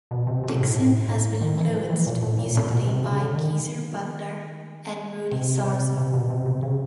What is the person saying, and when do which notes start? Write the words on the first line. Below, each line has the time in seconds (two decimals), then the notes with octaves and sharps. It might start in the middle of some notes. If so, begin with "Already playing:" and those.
Dixon has been influenced musically by Geezer Butler and Rudy Sarzo.
0.11 B2
0.27 C3
0.43 C3
0.60 A2
0.76 A2
1.08 A2
1.41 D#3
1.57 E3
1.74 F3
1.90 E3
2.06 A#2
2.22 A2
2.39 A#2
2.55 A#2
2.71 B2
2.87 C3
3.04 C#3
3.20 D3
3.36 D#3
5.32 C3
5.64 C3
5.97 C3
6.13 B2
6.30 C3
6.46 C3
6.63 C#3